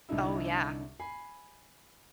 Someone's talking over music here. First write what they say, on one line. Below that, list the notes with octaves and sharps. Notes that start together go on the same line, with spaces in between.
Oh, yeah.
C2 D3 D#4 E4
G#5 B5 C7